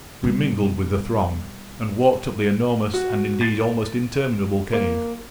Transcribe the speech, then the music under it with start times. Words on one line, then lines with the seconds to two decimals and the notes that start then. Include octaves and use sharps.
We mingled with the throng, and walked up the enormous and, indeed, almost interminable cave.
0.24 B2 G3
2.94 F#4
3.41 A6
4.73 A#3